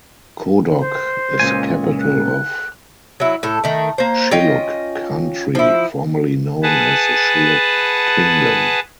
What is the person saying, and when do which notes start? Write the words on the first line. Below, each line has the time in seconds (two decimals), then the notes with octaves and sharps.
Kodok is the capital of Shilluk country, formally known as the Shilluk Kingdom.
0.79 C5
1.40 C#2 A#2 G#5
2.00 F#6
3.20 F#3 E4
3.43 A2 A4
3.64 D#3 A3
3.98 A#3 C5
4.31 C#4 F4 D#5 G5
5.55 F3 E4
6.63 G#4 B4 F#5 A5